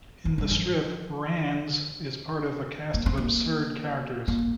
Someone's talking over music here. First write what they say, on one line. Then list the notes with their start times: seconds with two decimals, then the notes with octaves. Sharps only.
In the strip, "Rands" is part of a cast of absurd characters.
0.25 F3
0.38 G3
0.50 F3
2.94 A#3
3.06 C4
3.17 A#3
4.28 A#3